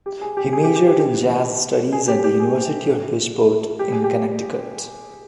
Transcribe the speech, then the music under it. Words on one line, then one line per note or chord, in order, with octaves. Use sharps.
He majored in jazz studies at the University of Bridgeport in Connecticut.
G4
G#4
G4
G#4
G4
G4
G4
G4
G#4
G4
G4
G#4
G4
G#4
G4